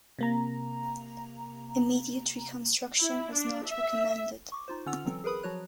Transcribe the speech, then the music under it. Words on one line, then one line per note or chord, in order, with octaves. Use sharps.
Immediate reconstruction is not recommended.
C3 A#3 A#5
E4
D4
E5
C#6 D6
D#4 F4 C5
D3 C#4 F4 F#5 E6 F7
E3 F#3 C4 A4
G#4 A#4 B4 B5 D#6
F3 F#3 F#4 C#5 F#6